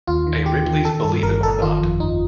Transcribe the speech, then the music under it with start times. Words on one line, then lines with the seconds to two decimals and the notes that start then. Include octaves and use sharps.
A Ripley's Believe It or Not!
0.07 D#2 F4
0.27 D#3
0.46 D#2 G4
0.65 D#3
0.85 D#3 A4
1.04 G2 A4
1.23 G1 A#4
1.42 G1 A4
1.62 D#3 F4
1.81 F2
2.00 G1 D#4